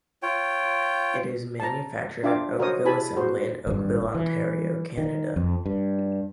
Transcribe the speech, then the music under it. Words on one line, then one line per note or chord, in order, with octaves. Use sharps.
It is manufactured at Oakville Assembly in Oakville, Ontario, Canada.
F4 C#5 G5
A5 A#5
D4 F4 E5 F5 G5 D6
F#4 A#4 C5 C#5 D#5 D#6
E4 G4 G#4 G#5 A5 B5
F#4 G#4 C5
G#1 G2
E3
D#3
F2
G2